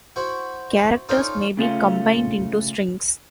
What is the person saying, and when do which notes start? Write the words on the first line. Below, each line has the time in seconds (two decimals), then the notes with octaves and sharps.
Characters may be combined into strings.
0.16 E4 F#4 C5
1.09 C#4 D#4 F4 A4 C5 D5
1.57 C#3 A3 C#4 F4